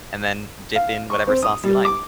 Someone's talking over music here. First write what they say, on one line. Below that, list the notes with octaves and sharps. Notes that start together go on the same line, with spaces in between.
And then dip in whatever sauce you like.
F5
C#6
C4
D#6
G3
D6